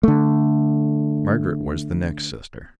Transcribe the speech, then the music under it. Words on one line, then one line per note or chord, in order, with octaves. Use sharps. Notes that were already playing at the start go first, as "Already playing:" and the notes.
Margaret was the next sister.
D3 A3